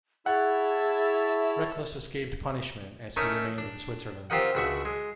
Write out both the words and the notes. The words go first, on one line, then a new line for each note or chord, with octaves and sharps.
Reclus escaped punishment as he remained in Switzerland.
E4 G#4 C#5 E5 F#5 A5
A3 C#4 D#4 A4 A#4
D4
C4 F4 G4 A#4 D#5 F#5
C#2 D4 F#4 E5 C#6
G#3